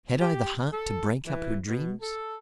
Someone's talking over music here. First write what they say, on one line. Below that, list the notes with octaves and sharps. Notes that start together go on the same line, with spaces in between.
Had I the heart to break up her dreams?
G4
A4
E3
B2
A4